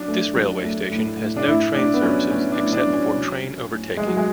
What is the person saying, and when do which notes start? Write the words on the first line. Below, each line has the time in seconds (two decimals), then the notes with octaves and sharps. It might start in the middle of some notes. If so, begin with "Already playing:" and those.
This railway station has no train services except for train overtaking.
Already playing: F#3 D4
0.08 A3
0.35 F#3
0.63 A3
0.91 A2
1.19 A2
1.36 D4
1.47 A2 E4
1.74 A2 D4
1.94 B3
2.02 F#3 C#4
2.31 A2 C#4
2.52 D4
2.58 A2
2.73 D4
2.87 F#3
2.93 C#4
3.14 F#3
3.42 F#3
3.70 A2
3.97 A2 G#3
4.07 F#3
4.17 G#3